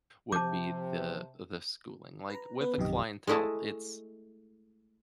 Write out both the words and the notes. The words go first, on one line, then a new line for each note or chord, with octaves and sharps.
would be the the schooling. Like, with a clientele, it's
C3 F3 A5 D6 G6
B4 A#5
B3 B4
A#1 F#2 C3 D#3 G4 D#5
G#3 A3 E4 D#5 A5